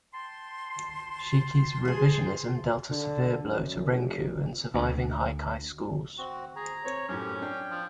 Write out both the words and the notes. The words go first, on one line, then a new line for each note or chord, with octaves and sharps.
Shiki's revisionism dealt a severe blow to renku and surviving haikai schools.
G5 A5 C6
G#4 C5
D3
F#2
F1
D2
C4 F#4
G#4 A#5
C4 C#5
F#2 A2 C#4 G4
D4 G5
F3